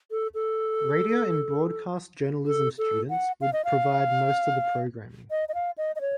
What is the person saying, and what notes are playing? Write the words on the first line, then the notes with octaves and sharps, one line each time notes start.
Radio and broadcast journalism students would provide most of the programming.
A4
A4
A4
A4
F#5
F5
D#5
F5
D#5
D#5
F5
D#5
D#5
C#5